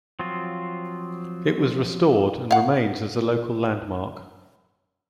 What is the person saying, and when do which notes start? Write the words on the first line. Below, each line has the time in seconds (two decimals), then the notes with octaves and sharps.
It was restored and remains as a local landmark.
0.19 F3 F#3 C4 F4
2.51 F5 F#5